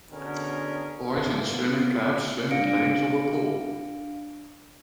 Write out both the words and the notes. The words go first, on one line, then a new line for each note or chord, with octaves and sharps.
Boys in swimming caps swim in lanes of a pool.
B2 D3 C#4 G#4 A#4
D3 E3 F3 A#3
B3 F4
D4 D5 F5 A#6 C#7 D7